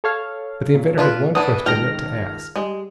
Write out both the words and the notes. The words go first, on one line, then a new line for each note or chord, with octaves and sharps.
But the inventor had one question yet to ask.
A4 C#5 F5
A#2
D4 F4 B4
E3 D4 E4 B4 F#5 A5 D#6
C#2 D#3 G5 A5 F6 A#6
G3 G#3